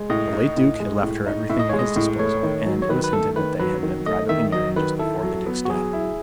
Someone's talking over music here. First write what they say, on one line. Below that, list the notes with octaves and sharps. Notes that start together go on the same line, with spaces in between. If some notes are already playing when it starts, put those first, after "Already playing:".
The late Duke had left her everything at his disposal, and, it was hinted that they had been privately married just before the Duke's death.
Already playing: G#3
A2 D#5
D#4
A2
G#3
A2
D#4
A2 E5
D#5
G#3 C#5
D#5
A2
A3 C#5
D#3
F#3
C#5
D#3 B4
B4
A3 A4
D#3 B4
F#3 B4
D#3
A3 D#5
D#3 E5
F#3 D#5
D#3 B4
E4 A4
F#3
B3
F#4
F#3 G#4
E4